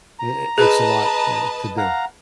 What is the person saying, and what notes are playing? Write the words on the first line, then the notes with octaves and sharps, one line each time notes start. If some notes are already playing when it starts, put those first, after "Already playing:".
i i it's a lot, eh, to do,
A#5
G#4 B4 D#5 A5
F5 F#5 A#5